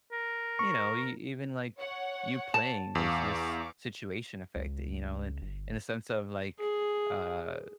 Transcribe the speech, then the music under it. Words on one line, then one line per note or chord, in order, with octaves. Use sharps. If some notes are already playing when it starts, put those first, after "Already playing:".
you know, e even, like, you playing, does this situation affect it, you know, and in a sense of, like, uh,
A#4
C#6
C#5 F#5
A5
E2 F5 C#6 D6
C#2
G1
G#4